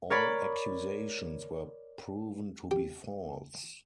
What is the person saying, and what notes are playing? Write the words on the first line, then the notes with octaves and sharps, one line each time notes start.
All accusations were proven to be false.
A#4 C#5 D5 B5
G4